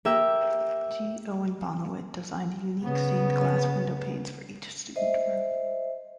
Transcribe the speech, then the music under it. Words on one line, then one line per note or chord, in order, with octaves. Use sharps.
G. Owen Bonawit designed unique stained glass windowpanes for each student room.
A#3 G4 E5
C#3 B3
C5 D#5 E5